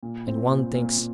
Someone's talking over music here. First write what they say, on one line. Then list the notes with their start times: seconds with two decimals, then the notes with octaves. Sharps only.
And one thinks....
0.03 A#2
0.27 C4
0.51 A#2
0.74 A#2
0.98 A#2